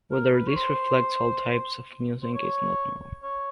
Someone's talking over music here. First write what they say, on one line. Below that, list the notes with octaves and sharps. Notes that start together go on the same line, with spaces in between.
Whether this reflects all types of music is not known.
A#4
B4
C#5
C5
C5
C#5
C#5